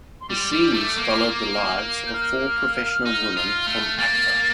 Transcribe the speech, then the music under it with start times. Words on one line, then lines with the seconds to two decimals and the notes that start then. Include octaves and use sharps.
The series followed the lives of four professional women from Accra.
0.21 C6
0.30 G3 D6
0.52 G3
0.75 A3
0.98 A#3
2.07 G6
2.13 F6
3.05 D#4
3.37 F4
3.67 A3
3.98 A#3 A6